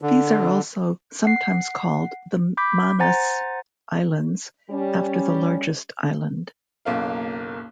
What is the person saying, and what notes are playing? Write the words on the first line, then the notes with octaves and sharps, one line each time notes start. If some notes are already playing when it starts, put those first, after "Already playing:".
These are also sometimes called the Manus Islands, after the largest island.
D3
F#5 C7
B5 D6 G6 B6
C5 F#5 G#5 A#5 A6
G3 C#4
F#1 B1 A#3 F5